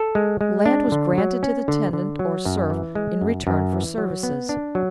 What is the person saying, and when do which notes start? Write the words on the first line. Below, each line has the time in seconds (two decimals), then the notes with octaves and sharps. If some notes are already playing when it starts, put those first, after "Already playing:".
Land was granted to the tenant or serf in return for services.
Already playing: A4
0.15 G#3
0.41 G#3
0.66 D4
0.92 D3
1.18 F#3
1.43 C#4
1.68 D3
1.93 D3
2.19 F#3
2.45 F#2
2.70 E3
2.95 G#3
3.21 F#2
3.47 F#2
3.73 E3
3.98 F#3
4.23 B3
4.49 D4
4.75 F#3